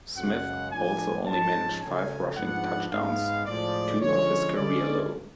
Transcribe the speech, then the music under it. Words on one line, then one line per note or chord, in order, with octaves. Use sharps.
Smith also only managed five rushing touchdowns, two off his career low.
F#2 C#3 G#3 F#5
A2 F3 B3 D4 G#5
G#2 F3 G#3 C#4 A5
C#3 F#3 A3 C#4 G#5
G#2 F3 B3 D4 F#5
G#2 G#3 B3 F5
A2 F3 G#3 D5
D3 F3 G#3 C#4 C#5
D3 G#3 C#4 D5